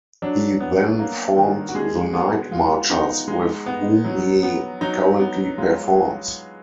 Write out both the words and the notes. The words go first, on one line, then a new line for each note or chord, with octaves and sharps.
He then formed The Night Marchers, with whom he currently performs.
F#3 D4
B3
A#3
D#3
F#4
G#3 G#4
B3
G#3 F4
B3 D#4
G#3
B3
F#3
B3
F#3 D#4
B3
G#3 F4